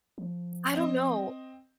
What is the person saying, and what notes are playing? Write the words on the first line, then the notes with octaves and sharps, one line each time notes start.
I don't know.
F3
C4 D#5